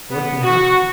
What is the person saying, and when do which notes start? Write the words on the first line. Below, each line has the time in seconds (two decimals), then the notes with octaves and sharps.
"What can happen?"
0.11 B3
0.43 F#4